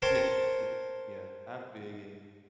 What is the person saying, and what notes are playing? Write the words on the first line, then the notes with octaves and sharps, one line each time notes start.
Yeah, yeah, yeah, I feel you.
A#4 C5 C#5 G5 A5